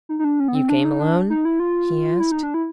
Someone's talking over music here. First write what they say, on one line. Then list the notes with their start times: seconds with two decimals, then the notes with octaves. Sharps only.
"You came alone?" he asked.
0.09 D#4
0.19 D#4
0.24 D4
0.40 C#4
0.48 B3
0.55 C4
0.69 D4
0.85 D#4
1.00 D4
1.30 D#4
1.45 E4
1.60 F4
2.20 E4
2.32 D#4
2.43 D4
2.54 E4